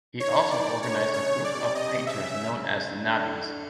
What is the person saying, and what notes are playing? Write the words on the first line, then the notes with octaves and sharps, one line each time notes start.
He also organized a group of painters known as The Nabis.
D#3 C#5
D#3 D5
D3 C#5
C#3 C#5
D5
B2
C3
D#5
C#3 E5
D3
D3